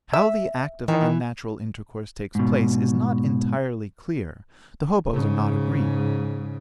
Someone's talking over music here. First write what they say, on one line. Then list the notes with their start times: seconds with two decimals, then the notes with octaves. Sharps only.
How the act of unnatural intercourse takes place is not entirely clear; the hoboes are not agreed.
0.13 E5
0.88 D#3 E3
2.35 G#2 B2
5.12 G#2 C#3